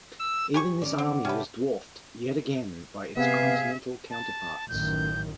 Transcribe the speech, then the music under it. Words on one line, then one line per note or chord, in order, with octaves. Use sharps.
Even this army was dwarfed, yet again, by its continental counterparts.
E6
G4 G#5 C#6
D#3 C#4 D4 D5
C4 F#5
C3 C#4 G4 B4 E5 A5
C3 B3 G#4 E5 F5
A5
A1 F#2 D#3 G6